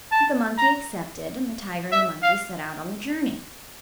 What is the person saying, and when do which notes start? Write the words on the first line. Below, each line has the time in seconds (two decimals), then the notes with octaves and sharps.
The monkey accepted, and the tiger and the monkey set out on the journey.
0.12 A5
0.58 A#5
1.92 E5
2.23 F5